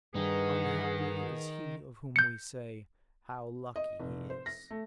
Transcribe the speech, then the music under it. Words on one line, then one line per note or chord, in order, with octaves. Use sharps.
Unhappy is he of whom we say, how lucky he is!
G2 D#3 D#4 G#4 B4 F#5
G6 C#7
D#5
F1
C5
A#6
A3